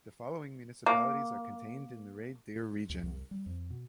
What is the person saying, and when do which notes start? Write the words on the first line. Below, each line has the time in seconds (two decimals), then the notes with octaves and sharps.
The following municipalities are contained in the Red Deer Region.
0.86 A#3
2.89 D2
3.03 C2
3.31 G3
3.46 F2
3.70 B2